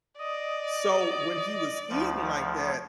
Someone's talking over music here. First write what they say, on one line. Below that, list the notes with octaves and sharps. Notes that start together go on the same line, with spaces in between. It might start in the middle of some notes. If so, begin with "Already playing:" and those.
So when he was eating like that,
D5 D#5
D2 F3